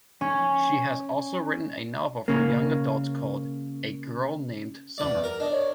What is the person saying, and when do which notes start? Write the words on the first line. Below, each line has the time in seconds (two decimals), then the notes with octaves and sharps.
She has also written a novel for young adults called "A Girl Named Summer".
0.21 C#4
2.28 C#3 A#3
4.98 E2 D5
5.24 A#4
5.40 D4 D#5
5.51 C#5